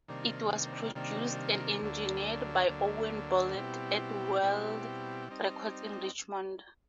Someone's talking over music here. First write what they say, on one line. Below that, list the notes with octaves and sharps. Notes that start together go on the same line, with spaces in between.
It was produced and engineered by Owen Bolwell at Whirled Records in Richmond.
C3 D#3 G3 A#3 D4
C3 D#3 G3 A#3 D4
D2 D3 F#3 A#3 D4
D2 D3 F#3 A#3 D4
B2 G3 C4 E4 G4
B2 G3 C4 E4 G4
G3 C4 D#4